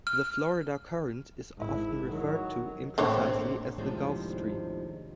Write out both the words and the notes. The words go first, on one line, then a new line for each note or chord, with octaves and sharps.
The Florida Current is often referred to imprecisely as the Gulf Stream.
F6
G#1 E4
D#3 F#3
A1 D3 A#3 C4 C#5
D#2 A2 C3 F3 G#3 D4